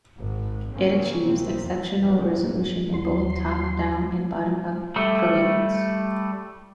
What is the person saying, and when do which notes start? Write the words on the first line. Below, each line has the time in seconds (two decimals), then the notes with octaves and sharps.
It achieves exceptional resolution in both top-down and bottom-up proteomics.
0.18 G#1
0.72 G#2 C#3 F3 A#3 C4 C#4
1.23 C2 B2 A#3 C4
1.60 E2
2.01 A#1 E2 A#2 E3 F#3 G#3
2.94 D#2 F#3 C6
4.96 G3 A3